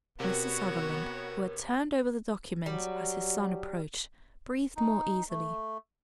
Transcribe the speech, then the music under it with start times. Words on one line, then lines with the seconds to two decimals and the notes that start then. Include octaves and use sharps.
Mr. Sutherland, who had turned over the document as his son approached, breathed more easily.
0.20 C3 B3 F#4 A#4 C#5
2.66 F#3 G3
4.77 D#4
5.30 A3